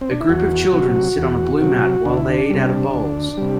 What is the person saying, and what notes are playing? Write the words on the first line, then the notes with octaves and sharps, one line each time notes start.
A group of children sit on a blue mat while they eat out of bowls.
C4
D4
E4
E2 F#4
C3 F#3
E2
C3 F#3
D2 D4
E4
D4
C3 G3
D2
C3 G3